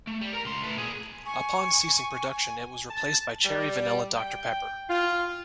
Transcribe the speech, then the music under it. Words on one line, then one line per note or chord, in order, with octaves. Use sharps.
Upon ceasing production, it was replaced by Cherry Vanilla Doctor Pepper.
A3
G3
A#4 A#5
C#2 C6
A3 B4
A#2 G#4
G#5 C#6
A5
G3
G5
F4